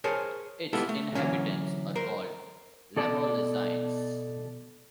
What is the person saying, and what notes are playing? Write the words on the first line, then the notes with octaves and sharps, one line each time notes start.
Its inhabitants are called "Lamalousiens".
G#4 A#4 C5 C#5 G#5 A5
G#3 A#3 B3 E4 G4 A4
A3
D3 E3 F#3 A#3 C#4
A#4 C5
B2 A4 D5 A5